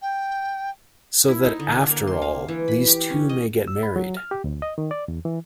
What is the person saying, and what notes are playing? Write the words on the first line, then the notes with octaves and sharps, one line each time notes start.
So that after all these two may get married.
G5
E4
D#4
D3
D4
A#3
C6
F5
E3
B5
G4
C#4
D#5
E6
B5
F#3
F6
G4
D2
D#5
D#3
D5
E2
E3